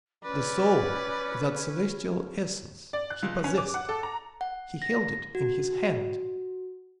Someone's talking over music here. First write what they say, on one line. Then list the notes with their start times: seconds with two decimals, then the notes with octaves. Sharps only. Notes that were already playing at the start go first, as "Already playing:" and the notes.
The soul, that celestial essence, he possessed; he held it in his hand.
0.24 C#4 B4 D5
2.93 D5
3.10 F#6
3.23 C#2
3.44 C#4
3.58 D6
3.74 F#5
3.89 A4
4.03 A#5
4.41 F#5
4.82 A#6
5.35 F#4